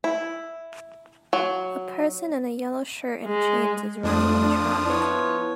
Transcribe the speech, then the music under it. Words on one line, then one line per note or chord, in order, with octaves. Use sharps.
A person in a yellow shirt and jeans is running on a track.
E4
F#3
G#3
F2 F3 A3 D4 D#6
B3 E4 C#5